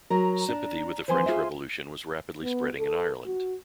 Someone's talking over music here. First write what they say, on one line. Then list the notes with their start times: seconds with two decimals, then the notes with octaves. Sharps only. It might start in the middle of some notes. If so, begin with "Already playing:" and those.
Sympathy with the French Revolution was rapidly spreading in Ireland.
0.10 F#3 A#4 A#5
0.49 D4
1.08 E3 F3 C4 C5 G#5 C6
1.26 F4 G#4 E5
2.42 B3
2.78 A4
3.26 F#4